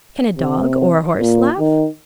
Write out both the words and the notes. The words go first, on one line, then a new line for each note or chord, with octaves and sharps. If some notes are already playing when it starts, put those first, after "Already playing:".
Can a dog, or a horse laugh?
C3
A#2
D#3